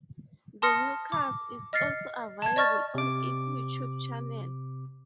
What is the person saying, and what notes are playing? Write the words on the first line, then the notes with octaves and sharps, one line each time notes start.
The newscast is also available on its Youtube channel.
A5 C6 D#6 F6 A#6 C#7
D6
D#5 F6 A6 C7 C#7
A5 G#6
D5 D#5 C#6 F6 A6
C3 D6